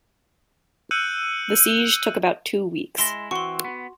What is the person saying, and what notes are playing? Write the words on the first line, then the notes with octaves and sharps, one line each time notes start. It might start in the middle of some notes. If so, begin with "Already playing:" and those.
The siege took about two weeks.
E6 F#6 G6 C#7 D#7 F#7
G#3 E4 C6 A#6
E3 C4 F#4 C6 C#6
B3